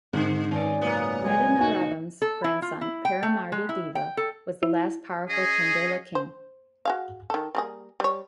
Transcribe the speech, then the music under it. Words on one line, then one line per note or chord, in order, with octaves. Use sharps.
Madanavarman's grandson Paramardi-deva was the last powerful Chandela king.
G#2 D3 C4 C5
D#3 C#4 G#4 D5
F#2 A#2 C#3 A#3 B3
G#3 G#5
D#4 F#4 G#5
A4
E4
F4
E4
G5
A3
G#3
E4
G5
A4
E4
C#4 G#4 D#5
C5
F#4 G#4 F5
D#3 A4
G3 A#3 G#4
G3 C#5